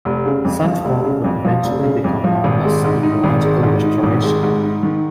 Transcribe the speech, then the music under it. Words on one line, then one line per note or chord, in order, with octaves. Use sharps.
Such work would eventually become known as ecological restoration.
F1
C#3
F2
F3
F1
C#3
F2
F3
F1
C#3
F2
F3
G#1
G#3
G#2
D#4
G#1
G#3
G#2
D#4
G#1
G#3
G#2
D#4
D#3